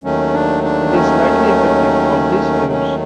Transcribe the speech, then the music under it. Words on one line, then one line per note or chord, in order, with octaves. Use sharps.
It is slightly effective for this use.
D#2 D#3 F#3 A3 C#4
D4
D4
C#4
C#4